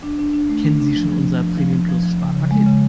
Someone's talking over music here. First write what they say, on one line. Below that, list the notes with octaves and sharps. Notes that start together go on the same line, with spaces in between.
Kennen Sie schon unser Premium-Plus-Sparpaket?
D4
D4
D4
A3
D4
D4
F3
F3
F3
F3
F3
F3
F3
F3
C#3
C#3
G#3
C#3